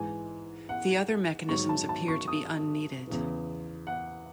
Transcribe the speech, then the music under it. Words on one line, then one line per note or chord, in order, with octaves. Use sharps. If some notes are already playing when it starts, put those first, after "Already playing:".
The other mechanisms appear to be unneeded.
Already playing: G#2 E3 G#5
F#5
G#2 D#3 F#3 C#6
A5
A5
C#6
D#6
E2 C#3 E3
F#5